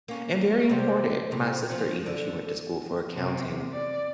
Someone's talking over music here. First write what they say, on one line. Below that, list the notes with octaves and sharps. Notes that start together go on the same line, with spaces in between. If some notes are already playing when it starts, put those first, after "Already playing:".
and very important. My sister, even she went to school for accounting,
A#3 C#4
C3 G3
A2 C3
F3 C#4
D3
C3
D5